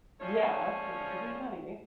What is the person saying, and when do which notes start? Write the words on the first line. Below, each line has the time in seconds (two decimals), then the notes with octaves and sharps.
Yeah. Give me money.
0.20 F3 G#3 A3 C#4 C#5 D5